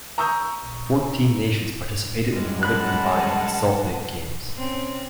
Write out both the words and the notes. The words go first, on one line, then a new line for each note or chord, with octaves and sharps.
Fourteen nations participated in Nordic Combined at the Salt Lake Games.
A#5 C#6 D#6 E6 G6
F#2 G3 G#3
F#5 A5 B5 F#6
C4 C#4